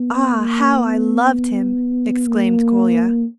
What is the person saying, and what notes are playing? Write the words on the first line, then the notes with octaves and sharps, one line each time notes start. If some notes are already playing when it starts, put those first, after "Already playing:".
"Ah, how I loved him!" exclaimed Kolya.
Already playing: B3
A#3
B3
A#3